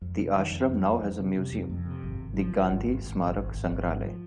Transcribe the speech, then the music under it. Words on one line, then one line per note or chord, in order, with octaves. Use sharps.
The ashram now has a museum, the Gandhi Smarak Sangrahalaya.
F2
C3
D#3
F2
F2
F2
F2
C3
C3
F2
F2
C3
G#1
G#1
F3
G#1
G#1
G#1
G#1
G#1
G#1
G#1
G#1
F3
F3